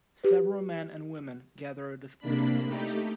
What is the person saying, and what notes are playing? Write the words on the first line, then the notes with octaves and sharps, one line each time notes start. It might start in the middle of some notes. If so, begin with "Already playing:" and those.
Several men and women gather at a sporting event.
G4 B4
C3 A#3 D4 B5
A3 D#4 G4